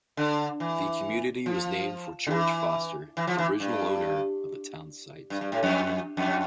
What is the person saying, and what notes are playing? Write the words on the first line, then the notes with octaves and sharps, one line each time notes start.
The community was named for George Foster, an original owner of the town site.
D3
E3
F3
D3
E3
E3
F3
E3
G2
G2
G2
A2
F2
F2